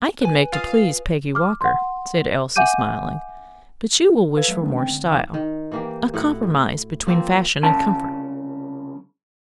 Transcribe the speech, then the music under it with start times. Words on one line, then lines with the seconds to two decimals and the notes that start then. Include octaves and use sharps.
"I can make to please Peggy Walker," said Elsie, smiling; "but you will wish for more style--a compromise between fashion and comfort."
0.22 B4 G#5
0.52 F4 F5 D#6
1.35 D6 F6
1.61 F#5 C6
2.56 E5 F#5 G#5 D6 G6 D#7
4.36 A4 B4 F5 E6 G#6
4.48 F#3 G#3 A3 A4 E5
4.62 D#3 G#3 A3 B3 C#4 D4
4.76 C4 G5
4.89 D3
5.11 C#2 E3 D#4 F5 D6
5.34 D#3
5.72 E3 A#3 G4
6.14 A2 E4 F#4 F#5
6.43 A2
7.07 F3 A#3 C4
7.63 C2 C#3 A5